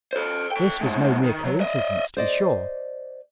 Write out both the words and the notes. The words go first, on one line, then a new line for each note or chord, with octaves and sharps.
This was no mere coincidence, to be sure.
A4 C5
A4 G5
A2 G#3
D#3
F#3
D#5 E5
C5 D5 D#5